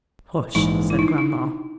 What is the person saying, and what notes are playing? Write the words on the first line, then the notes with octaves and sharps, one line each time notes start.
"Hush!" said grandma.
A#1 G#2 E3 G#3 D#4
E4
D#4
D4
D#4